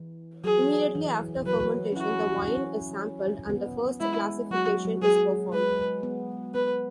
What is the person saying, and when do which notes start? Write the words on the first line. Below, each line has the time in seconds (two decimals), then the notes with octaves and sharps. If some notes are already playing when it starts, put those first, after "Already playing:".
Immediately after fermentation, the wine is sampled and the first classification is performed.
Already playing: E3
0.44 F#3 G#4
0.95 E3
1.46 F#3 B4
1.92 C#4
1.96 E4 F#4
2.47 C#4
3.50 B3
4.00 G#3 E4
4.51 F#3 F#4
4.68 F#3
4.85 F#3
5.02 F#3 G#4
5.52 G#3 B4
6.03 B3
6.54 B3 B4